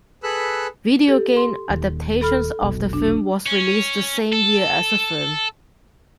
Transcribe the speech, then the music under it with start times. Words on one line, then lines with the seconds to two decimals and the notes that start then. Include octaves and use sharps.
Video game adaptations of the film was released the same year as the film.
0.23 G#4 A4 B4 B5 E6 F#6
1.08 G4 A4
1.37 C6
1.70 D#1 D#2
2.21 A4 B5 F6
2.62 F1 B1 B2
2.93 D4
3.47 C#4
4.32 A4